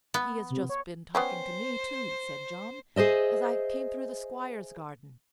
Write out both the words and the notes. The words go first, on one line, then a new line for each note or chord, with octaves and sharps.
"He has just been talking to me, too," said John, "as I came through the squire's garden."
B3
C3
C#5
B3 C#4 G4 C5
G#4 C5 D#5 E5